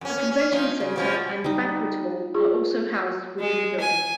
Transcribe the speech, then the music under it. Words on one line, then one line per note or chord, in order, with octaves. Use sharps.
A convention center and banquet hall are also housed within the building.
F2 C#4
C#4
C#4
F3 C#4 D#4
C#3
B2 F3 C#4
G3 D#4
F4 G#4
G#3
G#5